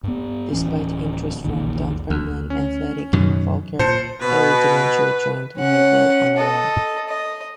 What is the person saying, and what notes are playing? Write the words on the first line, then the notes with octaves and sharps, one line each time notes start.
Despite interest from Dunfermline Athletic and Falkirk, Elliot eventually joined Motherwell on loan.
G2 B3
D1 E3 C#4
A#1 E2 A#2 D#3
D2
C#4
F#2 B2 D#3
A#2 C5 A5 C#7
B2 B4
C#4 F#5
A4 D#5
D#5